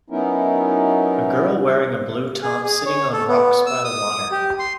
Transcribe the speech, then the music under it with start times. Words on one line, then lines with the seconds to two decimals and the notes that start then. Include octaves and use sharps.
A girl wearing a blue top sitting on rocks by the water.
0.10 F#3 B3 C#4 D#4 E4 A#4
2.42 G#4
2.64 G#4
2.86 C#5
3.13 A4
3.27 B3
3.66 E6
3.84 D#6
4.31 G4
4.59 C6